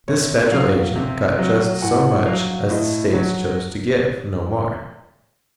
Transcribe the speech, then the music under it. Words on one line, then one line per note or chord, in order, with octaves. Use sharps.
This Federal agent got just so much as the States chose to give--no more.
C3 C#5
F#3 F5
C3
F#3
A2 F#5
F#3 F5
A2 D#5
F#3 C#5